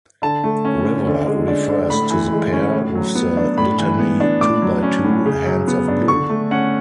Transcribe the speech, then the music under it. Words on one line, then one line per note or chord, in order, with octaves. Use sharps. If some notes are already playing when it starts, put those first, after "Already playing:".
River refers to the pair with the litany "two by two, hands of blue".
D3 A5
A3
C#4
D3
D3
G#3
D4
D3
A2 B5
E3
G#3
C#4
A2
F#3
B3
D4
A2 B5
E3
B3
D4
A2 D6
F#3
C#4
A2
C#3
F#3
B3
D4
D3 C#6
A3
C#4 F#5